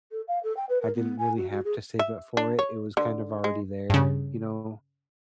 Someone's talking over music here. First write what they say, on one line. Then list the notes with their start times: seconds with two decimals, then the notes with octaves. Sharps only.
I didn't really have to save up for it. It was kind of already there, you know,
0.12 A4
0.28 F5
0.44 A4
0.57 G5
0.69 B4
0.82 A#4
0.95 B3
1.19 G#5
1.37 F#4
1.51 F#4
1.65 G#4
1.99 E5
2.37 D4
2.59 C#5
2.97 D3
3.44 G#3
3.90 G2 C#3